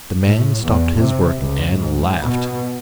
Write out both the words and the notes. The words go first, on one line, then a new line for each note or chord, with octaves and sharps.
The man stopped his work and laughed.
A2
E2
C3
C#2
G#2
B2